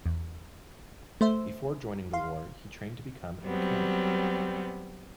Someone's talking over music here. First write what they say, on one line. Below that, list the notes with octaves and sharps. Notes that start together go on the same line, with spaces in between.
Before joining the war, he trained to become a mechanic.
E2
A3 C5 E5
F5 C6
F#3 G3 B3 C4